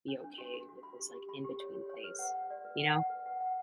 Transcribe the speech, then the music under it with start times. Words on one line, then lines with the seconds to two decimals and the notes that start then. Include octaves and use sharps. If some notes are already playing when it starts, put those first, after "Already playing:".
be okay with this, like, in between place, you know?
0.08 D4
0.24 D4
0.38 F#4
0.53 F#4
0.69 F#4
0.83 B5
0.99 G4
1.14 G4
1.29 B5
1.44 G4
1.60 C#5
1.75 G4
1.89 C#5
2.04 B4
2.19 F#5
2.35 F#5
2.50 D5
2.65 B4
2.80 F#5
2.94 F#5
3.10 B4
3.26 F#5
3.40 F#5